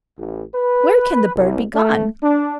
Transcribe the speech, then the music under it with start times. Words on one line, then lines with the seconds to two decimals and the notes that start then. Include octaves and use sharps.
Where can the bird be gone?
0.18 A1
0.55 B4
1.36 C2
1.75 A3
2.23 D4